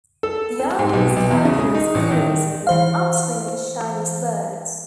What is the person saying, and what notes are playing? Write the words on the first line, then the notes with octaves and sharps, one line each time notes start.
The island is currently experiencing an upswing in Chinese births.
A4
C4
G#2
B1
B1
E2
C#3
G#3
D#4
A1
D#3
E3 C5 F5